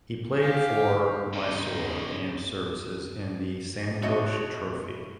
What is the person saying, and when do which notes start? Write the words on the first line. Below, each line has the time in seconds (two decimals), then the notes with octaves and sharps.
He played for Mysore and Services in the Santosh Trophy.
0.41 G4 F5 G#5
1.33 C#3 D#4
4.02 B2 A3 F#4 C#5 D#5